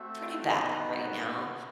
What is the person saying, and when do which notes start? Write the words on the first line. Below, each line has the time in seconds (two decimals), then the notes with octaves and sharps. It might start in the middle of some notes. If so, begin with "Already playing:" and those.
pretty bad right now.
Already playing: A3 C4 F#4 E5
0.44 B3 D#4 F#4 D#5